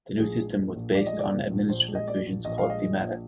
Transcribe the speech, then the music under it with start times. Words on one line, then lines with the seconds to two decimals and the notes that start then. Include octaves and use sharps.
The new system was based on administrative divisions called Themata.
0.19 A#1 G#4
0.38 G#3
0.56 A#2
0.75 A#1
0.95 A#1 D5
1.07 D#5
1.13 G#3
1.19 D5
1.33 A#2
1.51 A#1
1.69 A#1 C5
1.88 G#3
1.95 D#5
2.08 A#2 D5
2.27 A#1
2.45 A#1 D#5
2.58 F5
2.64 G#3
2.70 D#5
2.83 A#2
3.01 A#1